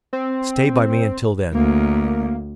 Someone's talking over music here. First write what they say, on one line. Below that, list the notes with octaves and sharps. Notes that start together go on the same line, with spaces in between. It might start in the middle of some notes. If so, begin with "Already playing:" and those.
Stay by me until then.
C4
D2 A#3